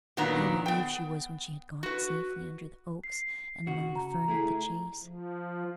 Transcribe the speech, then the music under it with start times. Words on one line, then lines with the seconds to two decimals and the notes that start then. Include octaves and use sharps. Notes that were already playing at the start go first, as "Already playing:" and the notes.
How relieved she was when she had got safely under the oaks and among the fern of the Chase!
0.17 A#2 D#3 F#3 B3 D4 A#5
0.66 B3 G5
1.83 F#4 B4
3.04 C7
3.67 C#3 F#4
3.96 A#5
4.28 A3 E4 G#4
5.03 F3